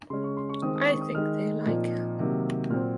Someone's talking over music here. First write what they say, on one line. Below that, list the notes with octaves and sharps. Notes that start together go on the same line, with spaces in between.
I think they like it.
C#3 G#3 C#4 C6
C#6
C6
C#6
D#3 G#3 C4 D#6
D#6
C#6
D#6
D#3 G#3 D#4 F6
A#2 F3 C4 D#4
C3 D#3 F#3 A#3
A#2 F#3 C4 F6